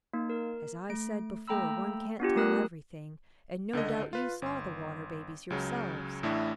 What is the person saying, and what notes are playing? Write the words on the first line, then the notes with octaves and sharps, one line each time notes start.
As I said before, one can't tell everything, and no doubt you saw 'The Water Babies' yourselves.
A#3 D#4
A#4
A3 D7
A3 A#3 G5 A#5 B5 E6
B3 D4 F4 G4
A3 A#4 D#6 F6 F#6
C#2 D3 A4 D#5
F4 B4
G1 C6
C#2 C#3 F#3
A1 A2 A3 D4 E4 E5